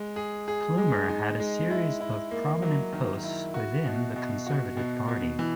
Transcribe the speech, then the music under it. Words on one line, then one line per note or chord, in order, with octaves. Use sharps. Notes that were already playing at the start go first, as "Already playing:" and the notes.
Plummer had a series of prominent posts within the Conservative Party.
Already playing: G#3
G#4
G#4
G#3
D#4
G#3
E4
E4
A#3
F#3
D#3
E4
F#4
B2
B2
F#4
B2
B2
E3